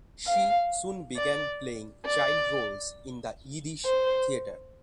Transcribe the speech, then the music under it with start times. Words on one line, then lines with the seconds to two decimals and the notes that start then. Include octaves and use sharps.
She soon began playing child roles in the Yiddish Theatre.
0.27 F5
1.16 D5
2.06 D5
3.85 C5